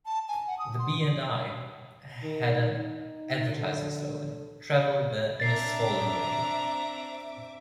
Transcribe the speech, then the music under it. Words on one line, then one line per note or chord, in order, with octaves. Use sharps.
The B and I had an advertising slogan: "Travel the Innisfallen Way".
A5
G#5
F#5
D#6
C6
D#3
D#4
D3
C4 D4 E5 A#5 D6 A6 C7